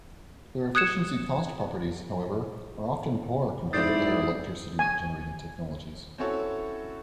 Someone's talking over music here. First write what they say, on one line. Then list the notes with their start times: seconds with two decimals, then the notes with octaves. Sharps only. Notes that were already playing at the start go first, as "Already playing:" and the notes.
Their efficiency-cost properties, however, are often poor compared to other electricity-generating technologies.
0.75 D#6 F#6 G#6 C#7 E7
3.73 G#2 C4 E4 D5 D#6 G6 A6 C7
4.79 G#5
6.18 C4 C#4 E4 F#4 A4 C#5